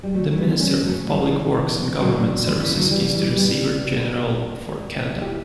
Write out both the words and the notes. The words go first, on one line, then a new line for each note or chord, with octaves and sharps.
The Minister of Public Works and Government Services is the Receiver General for Canada.
G3
F#3 A3
G3 B3
A3 C#4
F#3 A3
E3 G3
D3 F#3
D3
C#3 E3
D3 F#3
E3 G3
E3 G3
G3 B3
E4 G4